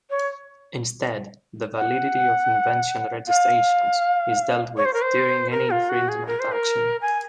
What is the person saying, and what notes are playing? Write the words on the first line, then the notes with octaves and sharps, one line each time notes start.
Instead, the validity of invention registrations is dealt with during any infringement action.
C#5
F#5
F5
C#5
C5
A#4
C5
A#4
F4
F#4
G#4
A#4
C5
A#4
G#5